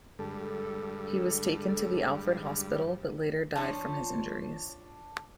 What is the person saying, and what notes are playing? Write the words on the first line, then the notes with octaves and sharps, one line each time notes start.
He was taken to the Alfred Hospital but later died from his injuries.
G2 D3 G#3 A4
F3 D4 C#5 A5